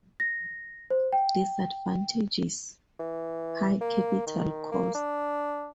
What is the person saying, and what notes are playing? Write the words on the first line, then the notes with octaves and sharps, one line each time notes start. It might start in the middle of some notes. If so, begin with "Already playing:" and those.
Disadvantages: High capital cost.
A#6
C5
G5
E3
A#3
D#3
A#3
D4